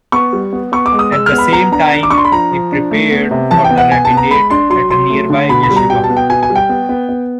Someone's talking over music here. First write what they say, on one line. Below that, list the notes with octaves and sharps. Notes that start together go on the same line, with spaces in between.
At the same time, he prepared for the rabbinate at a nearby yeshiva.
B3 C#6
G3
B3
B3 C#6
D6
G#3
D#6
G#3 E6
F6
B3
B5
B3 A#5
D4 A#5
D4
D6
D4 C#6
C6
B5
F3 A#5
F3
D4
A3
B3
C3
E3 A5
G5
B3
F#5
B3 G#5
A5
B3
A#5
G#3 B5
D4 C6
F#3 C6
F#3 C6
A3
D3
B2 B5
B5
G3
A#5
B2 G5
A5
B3
G5
B2 G#5
G#5
G3
G5
B3
B3
B3